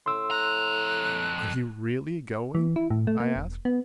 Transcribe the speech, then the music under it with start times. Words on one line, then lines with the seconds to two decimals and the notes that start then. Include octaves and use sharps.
"Are you really going?" I asked.
0.06 A2 C6 E6
0.31 F2 A#5 F#6
2.55 E3
2.76 E4
2.90 A2
3.07 A3
3.20 A#3
3.36 E1
3.65 B3